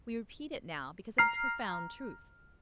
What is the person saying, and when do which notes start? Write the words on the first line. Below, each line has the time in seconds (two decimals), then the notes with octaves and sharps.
We repeat it now because of its profound truth.
1.18 A#5 F6 C7